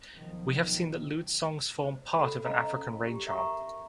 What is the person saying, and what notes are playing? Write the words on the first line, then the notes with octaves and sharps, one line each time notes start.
We have seen that lewd songs form part of an African rain charm.
B1 D#3 F3
C5
A4 C5 F#5 B5
C#4 C5 D#5 F5 A#5
G4
A#4 E5 F#5 A#5 C#6